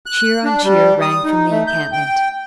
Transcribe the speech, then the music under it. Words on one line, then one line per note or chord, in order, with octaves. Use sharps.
Cheer on cheer rang from the encampment.
F#6
D4
G3
D#6
D#4
A3
G6
G5